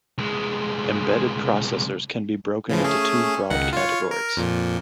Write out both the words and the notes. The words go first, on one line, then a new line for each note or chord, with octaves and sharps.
Embedded processors can be broken into two broad categories.
C2 G#3
C#3 E3 F3
A3 C#4 G#4
C#2 D#3 F#5
F4 C#5
A#4
F2 A#2